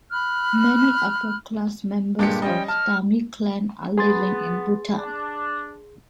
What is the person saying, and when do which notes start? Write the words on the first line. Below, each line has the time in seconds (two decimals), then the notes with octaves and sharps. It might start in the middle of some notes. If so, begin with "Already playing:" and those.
Many upper class members of Thami clan are living in Bhutan.
0.11 B5 F6 F#6
2.19 G2 A#2 G#3 G4 C#7
2.42 G3 C#4 D#5 G5
2.68 A5 F6
3.98 B3 G#4 C6 A6
4.97 D4